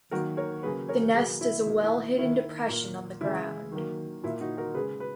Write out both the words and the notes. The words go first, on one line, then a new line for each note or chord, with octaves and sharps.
The nest is a well-hidden depression on the ground.
D#3 F#3 A#3 F#4 A#4
A#4 C#5
C#3 F#3 A#3 G#4 B4
A#4 C#5
B2 F#3 A#3 G#4 B4
E4
B2 A#3 D#4
E4
D#3 A#3 E4
A#2 A#3
C#3 E3 G#3 E4
D#3 F#3 A#3
A#2 A#3 E4
D#4 F#4
F#4 A#4
C#3 G#3 G#4 B4
B4